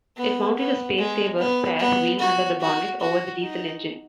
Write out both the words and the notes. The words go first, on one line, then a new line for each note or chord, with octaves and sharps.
It mounted a spacesaver spare wheel under the bonnet, over the diesel engine.
B3
B3
G#3
B3
B3
F#4
F#4
F#4
D#4